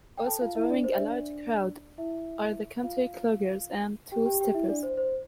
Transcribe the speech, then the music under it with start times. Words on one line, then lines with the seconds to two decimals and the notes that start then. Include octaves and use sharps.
Also drawing a large crowd are the country cloggers and two-steppers.
0.17 G5
0.26 A4 A5
0.41 F4 F5
0.55 E4 E5
0.69 D4 D5
0.84 C5
0.93 E5
0.98 D4 D5
1.98 E4 E5
2.84 F4 F5
4.12 G4 G5
4.26 G4 G5
4.40 G4 G5
4.54 E4 E5
4.69 D4 D5
4.83 C5
4.97 C5